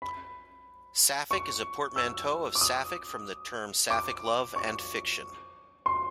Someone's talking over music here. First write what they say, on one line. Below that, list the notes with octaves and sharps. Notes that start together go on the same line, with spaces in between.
"Saffic" is a portmanteau of Sapphic from the term Sapphic love and fiction.
B5
C#6
E6
D6
D#6
D6
C#6
C6